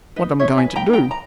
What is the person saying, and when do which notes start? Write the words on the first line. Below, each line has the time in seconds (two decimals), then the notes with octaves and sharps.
"What um going to do?"
0.16 D#4 B4 D#5
0.40 D#4 C#5 E5
0.58 E5 G#5
0.64 B4
0.76 G5 A#5
0.87 D#4
0.93 G5 A#5
1.11 A#5